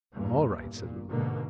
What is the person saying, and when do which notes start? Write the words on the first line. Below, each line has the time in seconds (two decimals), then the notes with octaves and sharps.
"All right," said Lulu.
0.13 E2 G2 A#2
0.75 A#2
1.09 G#2 B2 D3 A#3